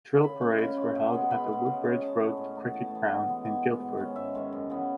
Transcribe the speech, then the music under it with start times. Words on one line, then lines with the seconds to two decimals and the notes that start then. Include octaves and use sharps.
Drill parades were held at the Woodbridge Road cricket ground in Guildford.
0.23 C#3 B5
0.41 G#3 C#4
0.59 C#3 B5
0.76 G#3 C#4
0.95 B2
1.13 G#3 B3
1.31 B2 B5
1.48 G#3 B3
1.66 C#3
1.84 G#3 C#4
2.02 C#3 A5
2.20 G#3 C#4
2.37 A2
2.55 E3 B3
2.74 A2 A5
2.91 E3 B3
3.09 B2
3.27 G#3 B3
3.45 B2 G#5
3.62 G#3 B3
3.81 G#2
3.98 D#3 G#3 C#4
4.16 G#2 E5
4.35 D#3 G#3 C#4
4.53 F#2
4.70 C#3 E3 B3